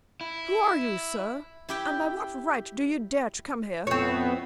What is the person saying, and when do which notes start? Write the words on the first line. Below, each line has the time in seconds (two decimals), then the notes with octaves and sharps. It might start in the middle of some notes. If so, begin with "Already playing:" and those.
"Who are you, sir, and by what right do you dare to come here?"
0.21 E4
1.69 E4 G4 G5
3.87 F2 A2 B3 C4 C#5